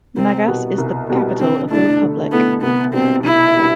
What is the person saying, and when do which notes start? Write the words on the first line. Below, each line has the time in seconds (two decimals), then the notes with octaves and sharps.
Magas is the capital of the republic.
0.16 C2 C4
0.48 B2 G3 B3
0.78 C2
1.10 B2 G3 B3
1.40 D3 C4
1.70 A3 D4 E4 A4
2.01 D3
2.32 A3 B3 E4 A4
2.63 C2 B3
2.93 B2 G3 B3 C4 D4
3.24 C2 E4
3.55 B2 G3 B3 D4